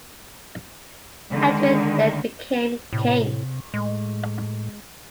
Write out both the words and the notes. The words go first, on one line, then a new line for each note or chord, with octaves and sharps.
Edwin then became king.
D3 D#3 G#3
A2 C3
A2 G#3